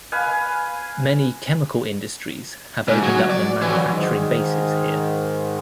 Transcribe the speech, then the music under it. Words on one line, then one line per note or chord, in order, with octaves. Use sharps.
Many chemical industries have opened up their manufacturing bases here.
B4 F5 G#5
G#2
F#3
D5
E3 F#3
G#2 D#3 G#3